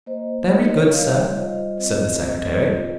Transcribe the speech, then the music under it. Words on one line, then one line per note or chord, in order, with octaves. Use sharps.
"Very good, sir," said the secretary.
A#3 C5 D#5
D#4 C5 D#5
A#4 C#5
D#5
G3 C#5 F5
F4 C5 D#5
C4 C5 D#5
C4 C5 D#5
F4